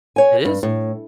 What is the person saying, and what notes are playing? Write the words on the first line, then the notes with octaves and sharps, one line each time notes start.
It is.
C#5 G#5
G2
A2